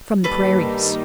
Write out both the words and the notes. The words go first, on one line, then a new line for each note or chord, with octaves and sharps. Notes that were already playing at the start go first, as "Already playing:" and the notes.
From the prairies.
G2 D#3 G3 A#3 D#4 A4 B4